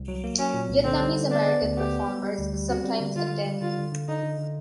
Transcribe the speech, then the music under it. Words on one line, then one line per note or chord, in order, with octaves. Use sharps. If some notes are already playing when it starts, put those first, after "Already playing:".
Vietnamese-American performers sometimes attend.
Already playing: C2
F#3
A#3
F#3 C#4
A#2
C2
D3 C4
G3
D3
B3 D4
B3
D2
B3 G4
B3
G3
G3
D2
G3
C4 F#4
G3
D3
D3 F4
G3
G3
D3 F4
D3
D3
D3 D#4
D3
D3